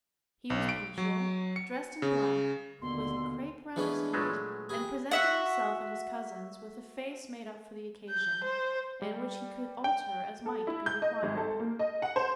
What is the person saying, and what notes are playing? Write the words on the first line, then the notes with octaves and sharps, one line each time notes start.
He was punctual, dressed in black, with crape around his hat, and presented himself at his cousin's with a face made up for the occasion, and which he could alter as might be required.
B1
D7
F#3
C#7
C#3
D#2 B2 D3 C6
E3 G#3 A3 B3 C#4 D4 G#4
A#2 F#3 G#3 A3 G#4 B4
G4 G#4 B4
F#4 E5 F#5
G6
C5
G3
G5
A4
E4
G6
D#5
G#1
A4
A#3
D#5
F#5
C5